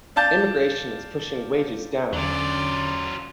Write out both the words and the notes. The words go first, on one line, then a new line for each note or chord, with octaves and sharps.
Immigration is pushing wages down.
D5 F5 A5 G6 A6
E2 D3 F#3 C#4 F4 D5